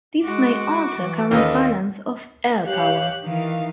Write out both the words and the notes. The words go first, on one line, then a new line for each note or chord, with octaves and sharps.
This may alter current balance of air power.
G#3 F#4 D6
E3
D#2 C#4 F4 A4 B4 D#5
G4 C#5 F5 F#6
D#3 E3 F5